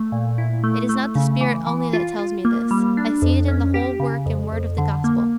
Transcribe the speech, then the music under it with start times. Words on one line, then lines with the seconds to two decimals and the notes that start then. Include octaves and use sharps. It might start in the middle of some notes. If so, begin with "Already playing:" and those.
It is not the spirit only that tells me this--I see it in the whole work and word of the Gospel.
Already playing: A3
0.12 A#2
0.38 E4
0.63 A3
0.89 A3
1.15 C#3
1.41 E3
1.67 E3
1.93 F4
2.19 F4
2.45 A#3
2.71 G3
2.97 D4
3.22 F2
3.48 C#4
3.74 G4
4.00 C#3
4.26 F2
4.52 F2
4.78 D3
5.04 A#3